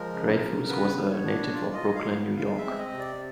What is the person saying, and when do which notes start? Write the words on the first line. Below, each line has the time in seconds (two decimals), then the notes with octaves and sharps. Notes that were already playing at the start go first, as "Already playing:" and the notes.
Dreyfuss was a native of Brooklyn, New York.
Already playing: F3 G#3 A#4
0.14 C#3
0.41 C#3
0.69 B3 B4
0.97 B3
1.11 C#5
1.24 D4
1.53 F4 D5
1.74 D#5
1.80 F#3
1.95 F5
2.09 B3
2.36 G#3 F5
2.58 E5
2.65 C4
2.78 D#5
2.93 C3
2.99 D5